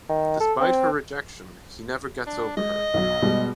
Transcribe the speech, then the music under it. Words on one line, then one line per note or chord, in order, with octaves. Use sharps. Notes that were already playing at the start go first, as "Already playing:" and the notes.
Despite her rejection, he never gets over her.
D#3
A4
C4
D4
G#3 D#5
B1 F#3
B2 G3 G#3